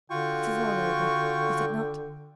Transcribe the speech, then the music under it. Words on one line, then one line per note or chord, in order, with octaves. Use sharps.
It is all over, is it not?
D3 F4 F#4 G5 C#6